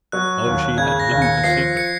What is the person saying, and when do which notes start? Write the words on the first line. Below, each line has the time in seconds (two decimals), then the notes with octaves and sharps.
Oh, she had hidden her secret.
0.12 F#3 F#6
0.46 D#2
0.78 C#3 G#6
1.00 A#6
1.11 D#2
1.22 C#7
1.44 F3 C7
1.77 C#7